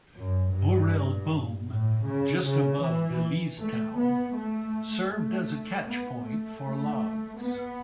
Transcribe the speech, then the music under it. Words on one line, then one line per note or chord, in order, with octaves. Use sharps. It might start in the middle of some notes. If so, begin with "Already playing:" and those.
Burrell Boom just above Belize Town served as a catch-point for logs.
F#2
G2
A2
C#3
C#3
E3
A3
B3
A3
A3
B3
A3
B3